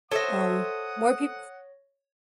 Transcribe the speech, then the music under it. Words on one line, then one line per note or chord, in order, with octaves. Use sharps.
um, more peop
A4 C5 C#5 E5 F#5 D#6 A#6